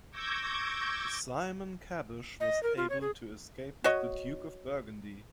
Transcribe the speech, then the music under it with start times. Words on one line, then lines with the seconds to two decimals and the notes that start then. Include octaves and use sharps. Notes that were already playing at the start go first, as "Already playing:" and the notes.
Simon Caboche was able to escape with the Duke of Burgundy.
0.11 C#6 D6 E6 G6 G#6 A#6
2.40 D#5
2.63 A#4
2.77 F4
2.90 C#5
3.01 G#4
3.84 F#4 C#5 D#5